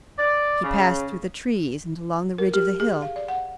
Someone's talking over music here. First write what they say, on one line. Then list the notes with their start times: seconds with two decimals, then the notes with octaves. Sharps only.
He passed through the trees and along the ridge of the hill.
0.18 D5
0.63 C#3
2.38 A#4
2.54 G4
2.80 G#4
3.02 F5
3.16 D5
3.28 F#5